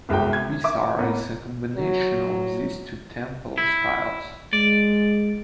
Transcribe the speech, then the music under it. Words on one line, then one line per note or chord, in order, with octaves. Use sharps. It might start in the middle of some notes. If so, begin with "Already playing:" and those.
Vesara is a combination of these two temple styles.
G1 C2 G#3 F#4 G5
G#6
E5 D6
A2 A#3 B3
F#3
E4
G#3 D5